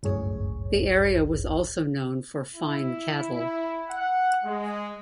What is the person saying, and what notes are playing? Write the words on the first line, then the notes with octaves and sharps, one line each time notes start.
The area was also known for "fine" cattle.
G1 C#2 F#2 A2 G#4 C#5
E4
F#5
G#3